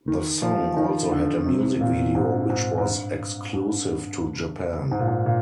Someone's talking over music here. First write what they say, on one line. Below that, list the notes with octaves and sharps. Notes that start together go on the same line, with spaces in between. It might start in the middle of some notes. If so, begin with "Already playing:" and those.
The song also had a music video, which was exclusive to Japan.
D#3
F3
D#3
D3
C3
A#2
G#2
G#2
G#2
G2
G2
G#2
A#2
G#2
A#2